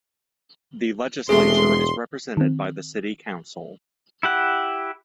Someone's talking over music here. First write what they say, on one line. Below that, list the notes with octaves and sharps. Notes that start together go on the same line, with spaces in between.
The legislature is represented by the City Council.
E1 C3 G#3 A3 G#4 C6
D#3 C4
E4 G4 F#5